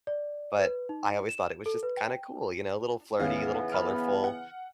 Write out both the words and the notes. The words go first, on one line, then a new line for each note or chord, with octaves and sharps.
but I always thought it was just kinda cool, you know, a little flirty, a little colorful,
D5
B4
D#4
E7
A4
B4
G5
D#2 C#3 E3 B3 C#4 F5
B5 F6
F#5